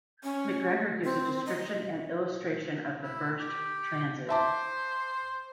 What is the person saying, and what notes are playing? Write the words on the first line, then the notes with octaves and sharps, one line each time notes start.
Macgregor gives a description and illustration of the first "Transit".
C#4
C4
D#5
E4
G4
C5 E5 A5 D6